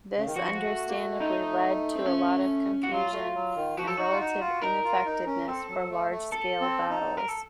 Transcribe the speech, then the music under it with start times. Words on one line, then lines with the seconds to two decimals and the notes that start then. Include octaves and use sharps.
This understandably led to a lot of confusion and relative ineffectiveness for large-scale battles.
0.17 C#3
0.26 D#3
0.36 F3 F#4
0.64 A3
0.87 A#3
0.93 A3
1.21 D#4
1.95 C4
2.06 C#4
2.83 F#4
2.92 F#3 F4
3.12 A3
3.35 F#3
3.56 D#3
3.77 F3 F#4
3.87 A4
3.98 D#4 F#4
4.13 F4
4.20 D#4
4.40 F4
4.62 D#4 A#4
4.84 F4
5.05 D#4
5.26 C#4
5.47 C4 A4
5.69 F#3
5.91 A3
6.11 A3
6.32 A4
6.61 C4
6.89 D#4
7.17 A#4
7.29 A4